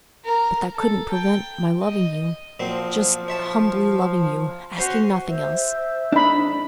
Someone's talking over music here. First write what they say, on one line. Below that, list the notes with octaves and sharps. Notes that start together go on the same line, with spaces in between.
But that couldn't prevent my loving you--just humbly loving you, asking nothing else.
A#4
A4
G5
D#5
A#2 F3 F#3 C4
C#5 E5 A5
C#4 F#4 C5
C5 E5
D4 D#4 B5